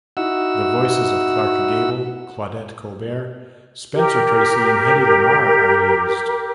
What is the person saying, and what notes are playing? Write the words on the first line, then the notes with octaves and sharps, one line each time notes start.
The voices of Clark Gable, Claudette Colbert, Spencer Tracy, and Hedy Lamarr are used.
D#4 E4 F#4 F#5 E6
G4 A#4